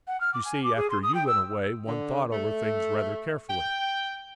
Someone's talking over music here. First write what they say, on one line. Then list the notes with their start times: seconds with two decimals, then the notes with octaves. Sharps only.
You see, after you went away one thought over things rather carefully.
0.07 F#5
0.21 F6
0.34 D6
0.45 G#5
0.64 D6
0.76 G#4
0.90 C6
1.03 D#6
1.15 G5
1.27 E6
1.86 D3
2.31 A3
3.48 G5